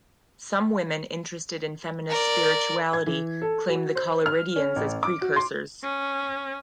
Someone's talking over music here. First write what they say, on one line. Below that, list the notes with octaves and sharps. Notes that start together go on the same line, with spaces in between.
Some women interested in feminist spirituality claim the Collyridians as precursors.
A#4 D5
G#6
E3
A4
F#4
C5
F6
C#4
A1
D6
F#4
C6
C#4